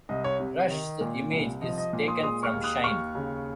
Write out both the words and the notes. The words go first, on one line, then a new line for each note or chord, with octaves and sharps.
Rush's image is taken from "Shine".
C2 D#5
C#5
C3
D#3
A#2
C2
F3 D#5
D#5
A#2
C6 D#6
G#3 C6 D#6
C#6 F6
D#2
D#6 F#6
D#2 C#6 F6
C#3